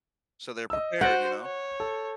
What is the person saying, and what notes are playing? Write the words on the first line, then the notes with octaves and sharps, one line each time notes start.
so they're prepared, you know?
D#5 E6
F#4 C5 F#5 G6 D7
C#5
A4